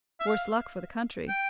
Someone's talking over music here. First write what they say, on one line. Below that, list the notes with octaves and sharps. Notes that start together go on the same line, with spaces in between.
"Worse luck for the country."
E5
F5
G5